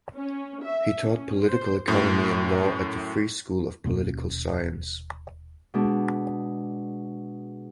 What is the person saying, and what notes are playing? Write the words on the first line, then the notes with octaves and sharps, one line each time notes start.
He taught political economy and law at the Free school of political science.
C#4
E5
C#4
C5
F#2 A2
D#1 B2 A#3 C#4
B2 G#3 D4